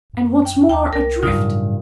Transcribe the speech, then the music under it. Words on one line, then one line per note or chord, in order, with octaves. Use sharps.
And what's more,--adrift.
F#2
G5
D#2 G5 A5 D6
C2 A#4
G2 C#3 F#3 D#4 F4
A2